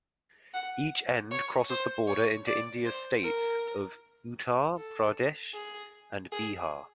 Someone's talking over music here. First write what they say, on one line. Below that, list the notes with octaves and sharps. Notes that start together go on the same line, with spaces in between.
Each end crosses the border into India's states of Uttar Pradesh and Bihar.
F#5
C#5
C5
C#5
D5
C5
A#4
A4
G#4
G#4